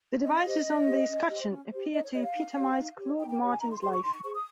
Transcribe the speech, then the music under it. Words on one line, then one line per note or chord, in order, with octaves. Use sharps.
The devices on the escutcheon appear to epitomise Claude Martin's life.
C#4 D#5
G4 C5
C#4
G4 C5
C#4
G4 C5
C#4
G4 C5
D#4 D#5
C#5
G4 C#5 D#5
F5
D#4
G4 C#5
D#4
G4 C#5
D#4 G5
G5
G4 C#5
G#5
D#4 A#5
C6
G#4 C5 C6
C#6
D#4 C6
C#6
G#4 C5 C#6
D#6